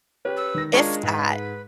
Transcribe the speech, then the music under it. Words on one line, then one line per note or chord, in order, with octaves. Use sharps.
If that
C#4 G4 B4
E6
D#3 A#6
G#3 C#4 D4 F4 A#4
G#2 B4